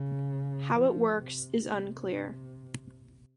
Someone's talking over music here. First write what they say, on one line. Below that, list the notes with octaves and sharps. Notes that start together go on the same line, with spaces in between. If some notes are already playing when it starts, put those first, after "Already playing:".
How it works is unclear.
Already playing: C#3
F3
C3
C3